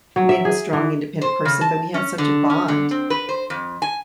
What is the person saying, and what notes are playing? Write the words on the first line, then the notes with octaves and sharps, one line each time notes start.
it made him a strong, independent person, but we had such a bond
F#3
E5
G#4
E3
C5
C#3
A5
C#4
D3
C#4
D3
C4
B4
C5
F2
G#5